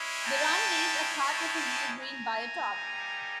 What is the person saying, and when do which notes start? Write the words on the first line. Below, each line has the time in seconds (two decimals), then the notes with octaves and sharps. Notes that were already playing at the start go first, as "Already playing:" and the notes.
The runways are part of a new green biotop.
Already playing: G#3 C#4 E4
0.24 G5 A5
1.30 G5 A5
2.01 G#5 A#5
2.71 G3 A#3 D#4 G4